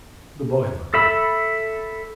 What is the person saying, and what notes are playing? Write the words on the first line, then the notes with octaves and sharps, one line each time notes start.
The boy looked at him.
A4 E5 B5